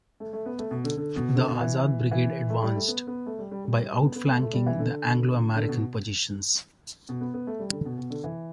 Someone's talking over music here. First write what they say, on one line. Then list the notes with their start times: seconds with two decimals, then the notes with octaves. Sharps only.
The Azad Brigade advanced, by outflanking the Anglo-American positions.
0.20 A3
0.33 A3
0.46 B3
0.59 A3
0.71 B2
0.84 D3
0.97 D3
1.16 B2
1.35 D3
1.48 B2
1.61 E3
2.11 E3
2.50 A3
2.63 G3
2.75 A3
2.88 B3
3.07 B3
3.26 A3
3.39 G3
3.51 G3
3.65 G3
4.02 B3
4.16 B3
4.28 A3
4.41 A3
4.53 G3
4.66 E3
4.79 D3
5.56 D3
5.69 B2
7.09 B2
7.21 B3
7.34 B3
7.47 A3
7.59 G3
7.72 D3
7.85 B2
7.98 B2
8.10 D3
8.24 E3